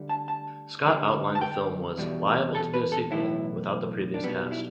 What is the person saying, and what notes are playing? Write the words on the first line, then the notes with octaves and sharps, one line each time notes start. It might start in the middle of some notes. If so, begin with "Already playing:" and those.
Scott outlined the film was "liable to be a sequel" without the previous cast.
Already playing: D2 D3 G3
A5
A5
D2 D3 G3
A5
G5
E2 B2 G3
A4
B4
A4
B1 A2 E3 E4
D4
B1 B2 G3 B3
E4